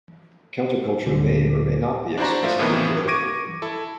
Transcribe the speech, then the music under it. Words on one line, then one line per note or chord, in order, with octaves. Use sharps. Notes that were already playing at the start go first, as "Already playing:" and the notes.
Counterculture may or may not be explicitly political.
D1 A#2 D3
D4 E4 F#4 C5 D5 A#5
F3 A3 F4 E5
A2 C3 D#3 E3 A#3 B3
C#6 D6 G#6 A#6 D7 D#7
E4 A4